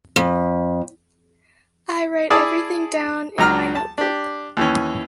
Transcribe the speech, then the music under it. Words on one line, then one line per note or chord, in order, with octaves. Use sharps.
I write everything down in my notebook.
F2
E4 G#4 D5 E5 A5 D#6
C#2 F#3 A#5 F6
A5
D4 G4
D#2 E3 C#4